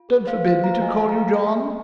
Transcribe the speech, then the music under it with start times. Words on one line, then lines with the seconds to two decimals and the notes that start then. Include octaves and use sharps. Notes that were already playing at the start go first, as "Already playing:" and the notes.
Don't forbid me to call you John.
Already playing: F4
0.09 G#4
0.27 G#4 C5 F5
0.45 G#4 C5 F5
0.64 A#3 F5 A#5
0.82 A#3 D#5 G#5
1.01 F4
1.09 F5 A#5
1.19 G#4
1.38 A#3
1.55 A#3